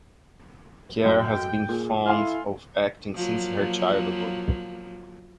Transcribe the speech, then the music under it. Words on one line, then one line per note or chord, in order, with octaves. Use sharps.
Khare has been fond of acting since her childhood.
B1 F#2 G5
A#2 G#4
E4 A4 F5 G#5 C6 F6
F3 F#3 A#3